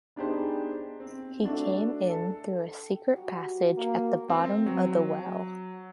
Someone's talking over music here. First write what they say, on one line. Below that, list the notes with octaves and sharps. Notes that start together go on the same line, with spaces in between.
He came in through a secret passage at the bottom of the well.
B3 D4 D#4 G4 G#4 C5
C4
A3 D4 F#4
A4
G5
F#3 G3 F#4
A#3
C4
F#3